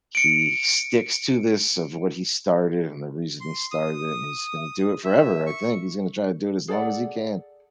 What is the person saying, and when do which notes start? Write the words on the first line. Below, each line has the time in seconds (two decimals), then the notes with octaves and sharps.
he sticks to this of what he started and the reason he started it, and he's gonna do it forever I think he's gonna try to do it as long as he can.
0.15 C#7 D7
3.41 C6
3.72 D#6
5.04 E5
5.47 C#6
6.68 G#4 A4 D5 F#5